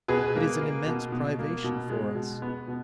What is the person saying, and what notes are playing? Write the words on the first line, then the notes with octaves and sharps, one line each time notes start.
It is an immense privation for us.
B2 G#4 B4
A#3
A#3
B2
B2
A#3
B2
G#3
B2
B3
B2